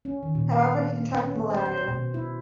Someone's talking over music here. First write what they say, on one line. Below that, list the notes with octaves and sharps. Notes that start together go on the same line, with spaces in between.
However, he contracted malaria.
C#4
D#3
A#2
F5
B3
C#4
C5
C5
B2
E4